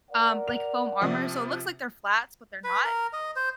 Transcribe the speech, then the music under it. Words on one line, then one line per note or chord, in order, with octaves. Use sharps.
um, like foam armor, so it looks like they're flats, but they're not.
A#4 D5 F#5
F7
C3 F3
B4
A#4
D#5
C5